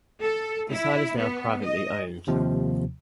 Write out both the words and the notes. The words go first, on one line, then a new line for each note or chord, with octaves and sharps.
The site is now privately owned.
A4
E4
B3
D#5
D#2 C3 F3